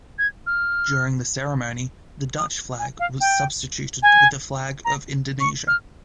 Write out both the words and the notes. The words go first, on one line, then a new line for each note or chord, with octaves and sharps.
During the ceremony, the Dutch flag was substituted with the Flag of Indonesia.
G#6
F6
D#6
G#5
F5
G5
G#5
A#5
C#6
F6